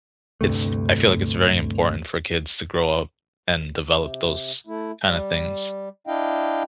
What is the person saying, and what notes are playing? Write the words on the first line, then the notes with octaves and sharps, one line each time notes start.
it's I feel like it's very important for kids to grow up and develop those kinda things.
D2 G2 C3 A3
C3
A3 E4
G3
D4 E4 D#5 F5 G5